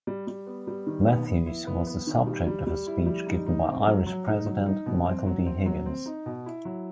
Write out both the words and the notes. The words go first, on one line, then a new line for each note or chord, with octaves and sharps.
Matthews, was the subject of a speech given by Irish President Michael D. Higgins.
G3
G3
B3
G3
D#3
B3
B3
E4
B3
B3
D#3
G3
G3
G3
E4
G3
D#4
D#4
C4
F#3
F#3
D#4
F#3
D#4
B2
C4
F#3
C4
F#3
C4
D#4
B2
E4
F#3